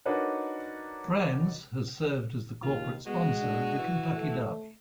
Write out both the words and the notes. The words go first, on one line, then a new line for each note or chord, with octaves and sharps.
Brands has served as the corporate sponsor of the Kentucky Derby.
D4 D#4 F#4 A#4 B4 C#5
D#2 F4
G#3 B3 F#4
D4
E3
A3